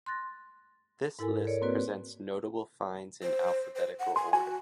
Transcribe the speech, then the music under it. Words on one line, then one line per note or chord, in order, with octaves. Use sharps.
This list presents notable finds in alphabetical order.
C6 F#6 A6 A#6
G#2 E4 A4 A#4 G#5
G#4 A#4 C#5 D5
A#3 C4 F#4 B4 D5
C5
C5
F#5
G#5 C6
F#4 G#5